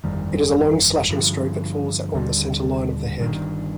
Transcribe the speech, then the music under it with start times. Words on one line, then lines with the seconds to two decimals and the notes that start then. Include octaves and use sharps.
It is a long slashing stroke that falls on the centre-line of the head.
0.04 G1 F2 D#3 G3
1.09 G2 D3 F3
2.15 D#2 D3 G3
3.20 G1 G2 D#3